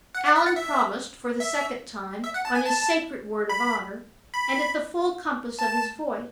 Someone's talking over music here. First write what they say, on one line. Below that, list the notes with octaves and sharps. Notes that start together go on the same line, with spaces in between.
Allan promised for the second time, on his sacred word of honor, and at the full compass of his voice.
F#5
F#5
E5
F#5
E5
E5
E5
F#5
A5
G#5
A5
B5
B5
A5